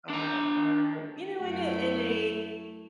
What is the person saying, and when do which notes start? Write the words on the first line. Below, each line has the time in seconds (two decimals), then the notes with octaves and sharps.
uh, are, you know, in a, in a
0.10 D4 A#5
1.41 F#2 A3 E4